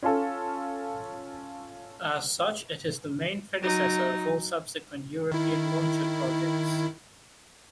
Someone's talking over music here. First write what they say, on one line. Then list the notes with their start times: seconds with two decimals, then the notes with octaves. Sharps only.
As such it is the main predecessor of all subsequent European launcher projects.
0.03 C#4 F4 A4
3.62 F#3 D#4
5.32 D#3 E4